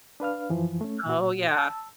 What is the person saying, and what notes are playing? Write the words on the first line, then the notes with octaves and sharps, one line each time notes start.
Oh, yeah.
D4 B4 F5 F6
F#2 E3 F3
A3 C#4
A#2 F#4
A5 E6